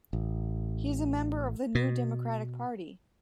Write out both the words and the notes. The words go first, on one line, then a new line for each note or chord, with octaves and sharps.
He is a member of the New Democratic Party.
A1
B2